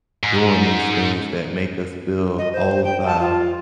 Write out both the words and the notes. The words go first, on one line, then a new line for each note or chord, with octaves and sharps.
doing these things that make us feel old uh,
G#2
D#5
C5
G5
A5
F4